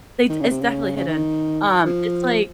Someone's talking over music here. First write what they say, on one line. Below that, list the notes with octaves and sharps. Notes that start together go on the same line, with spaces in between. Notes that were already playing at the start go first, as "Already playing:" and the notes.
they It's definitely hidden. Um, it's like
D#3
C#3
C3
C#3
C#3
D#3
F3